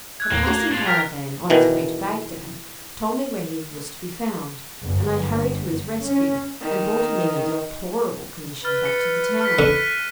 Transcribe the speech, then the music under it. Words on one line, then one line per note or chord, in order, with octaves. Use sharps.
A passing caravan, on its way to Bagdad, told me where he was to be found, and I hurried to his rescue, and brought him in a deplorable condition back to the town.
E6 F#6 G#6
D#2 A2 A#3
A3 F#4 G4
A2 F4 G#6 A6 C7
A#4 G5 F6 G6 A6 B6
B2 D#3 E3
G1
C#4
D#3 D#4
B4 F6 A6
C#7
F6 B6
D3 F#6 D#7